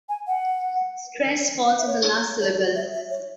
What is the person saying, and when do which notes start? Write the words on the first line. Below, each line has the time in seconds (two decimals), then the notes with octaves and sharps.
Stress falls on the last syllable.
0.09 G#5
0.27 F#5
1.79 E5
1.87 C#5
2.40 C#5
2.76 E5
2.94 E5
3.11 C#5